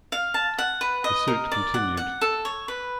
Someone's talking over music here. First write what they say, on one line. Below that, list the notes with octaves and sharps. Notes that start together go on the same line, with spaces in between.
The suit continued.
F5
A5
F#5
B4
D#5
A#4
D5
F#5
F#5
A4
C#5
B4